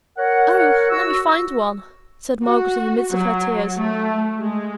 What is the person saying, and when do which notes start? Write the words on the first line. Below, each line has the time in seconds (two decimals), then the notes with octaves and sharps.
'Oh! let me find one,' said Margaret, in the midst of her tears.
0.17 A#4 C#5 F#5
0.89 F#4 E6
2.42 F#4
3.11 F#3
3.76 A3
4.39 G#3